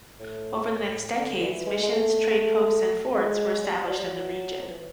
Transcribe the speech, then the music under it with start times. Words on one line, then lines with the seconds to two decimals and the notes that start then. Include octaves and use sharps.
Over the next decades missions, trade posts, and forts were established in the region.
0.19 A2
1.18 D3
1.43 E3
1.67 G#3
1.83 G#3
1.91 A3
3.15 G#3
3.64 G3
3.88 F#3
3.97 G3
4.07 F#3
4.62 F3
4.70 E3